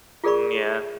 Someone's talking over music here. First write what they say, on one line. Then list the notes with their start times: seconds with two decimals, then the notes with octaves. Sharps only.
Mm, yeah.
0.24 F4 G#4 A#4 D5 B5 C#6